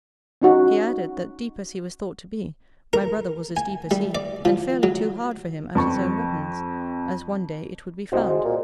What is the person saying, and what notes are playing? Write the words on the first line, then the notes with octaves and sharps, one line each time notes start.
She added, that deep as he was thought to be, my brother was as deep as he, and fairly too hard for him at his own weapons--as one day it would be found.
C#4 D#4 F#4
A#4
G#5
G3
D5
F3
F#3
F2 A5 C#6
C2 F#4 C5 D#5
G#3
A#2